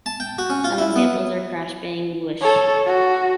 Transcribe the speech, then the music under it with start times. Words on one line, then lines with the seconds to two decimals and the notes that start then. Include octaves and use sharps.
Some examples are crash, bang, whoosh.
0.06 A5
0.20 G5
0.38 F#4
0.50 C#4
0.64 F4
0.78 E4
0.96 B3
2.42 A4 C#5
2.86 F#4